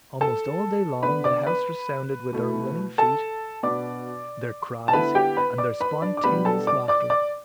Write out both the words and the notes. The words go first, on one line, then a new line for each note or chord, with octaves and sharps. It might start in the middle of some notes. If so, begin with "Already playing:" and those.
Almost all day long the house resounded with their running feet, their cries, and their spontaneous laughter.
A4 A5
D3 B3 D4 B4 B5
D5 D6
B4 B5
B2 A3 E4
A4 A5
B2 B3 D4 D5 D6
A5
D3 B3 E4 B4 B5
G4 G5
B4 B5
D5 D6
B4 B5
D4 D5
D6
B2 G3 B3 D4 B4 B5
A4 A5
D5 D6
D5 D6
D5 D6